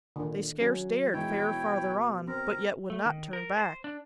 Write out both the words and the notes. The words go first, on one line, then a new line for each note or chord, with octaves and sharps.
They scarce dared fare farther on, but yet would not turn back.
A#2 D3 D#3
F#3 C#4
B2 E3 G#3 D#4 E4 C#5 G5
C4 A#4
A3
D#3
A#4
C5
D4